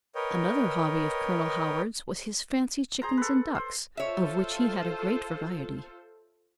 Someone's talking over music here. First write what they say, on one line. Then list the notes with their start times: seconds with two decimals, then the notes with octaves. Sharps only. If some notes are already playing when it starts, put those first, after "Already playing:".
Another hobby of Colonel Howard's was his fancy chickens and ducks, of which he had a great variety.
0.15 A#4 B4 C#5 D#5 G5
3.02 G#4 C5 A#5
3.17 A4 B4
3.55 C5
3.97 F4 A4 C5 C#5 E5